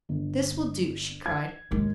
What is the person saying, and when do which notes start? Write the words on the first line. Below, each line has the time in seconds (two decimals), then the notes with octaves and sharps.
"This will do!" she cried.
0.09 G1
1.26 G#6
1.71 D#2 A2 G#3